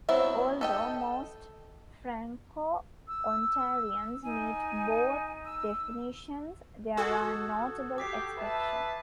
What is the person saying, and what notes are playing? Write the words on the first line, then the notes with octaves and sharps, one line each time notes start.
Although most Franco-Ontarians meet both definitions, there are notable exceptions.
F#3 B3 C4 E4 E5
A4 D#5 G5
E6
D#4 G#5
E6
F#4 A4 D#6 E6 G#6
G4 D6 B6 C7
B4 E5 A5